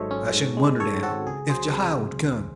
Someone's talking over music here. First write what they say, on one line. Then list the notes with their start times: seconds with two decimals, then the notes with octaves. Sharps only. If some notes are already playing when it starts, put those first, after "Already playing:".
I shouldn't wonder, now, if Jehiel would come.
Already playing: G#1 G#2 F#3 A4 C5 C#5 D#5 E5
0.11 C#4
0.33 G#2
0.57 G#3
0.80 D#3 A4 C#5
1.03 C4 F#4 A4
1.26 C#2 G#4
1.49 F#3 G#4 C5
1.73 C3
1.96 C#2
2.19 E2